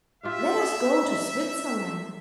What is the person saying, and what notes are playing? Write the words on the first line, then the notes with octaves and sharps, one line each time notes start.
Let us go to Switzerland!
F4 G4 E5 F5